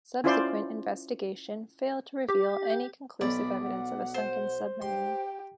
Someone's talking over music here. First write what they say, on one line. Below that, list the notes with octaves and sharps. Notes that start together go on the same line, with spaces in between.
Subsequent investigation failed to reveal any conclusive evidence of a sunken submarine.
C#4 E4 F4 C5 D5 C6
G4
B1 D5 B5
F#5
C5
G4 G5 C6